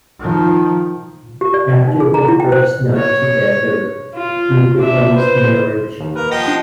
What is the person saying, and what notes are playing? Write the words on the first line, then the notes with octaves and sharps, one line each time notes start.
After their first night together, he proposed marriage.
D#3 F3
G4
D5
G5
D#4
G#4
A#5
E4
G5
C5
C#5
F4
D4 E5
B4 C5
D#2
A#3 A#4 B4
F3 G4 D#5 F#5 A#6
D4